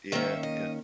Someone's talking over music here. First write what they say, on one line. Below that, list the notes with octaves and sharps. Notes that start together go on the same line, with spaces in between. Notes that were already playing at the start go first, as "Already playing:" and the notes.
Yeah, yeah.
D#3 A#3 C#4 E5
D#5